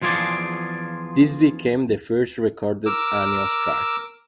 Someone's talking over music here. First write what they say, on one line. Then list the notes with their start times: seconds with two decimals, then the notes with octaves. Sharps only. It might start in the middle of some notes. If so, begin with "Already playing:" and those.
These became the first recorded Annuals tracks.
0.02 E2 F3 F4 G#4 D5
2.86 A#4 D6 E6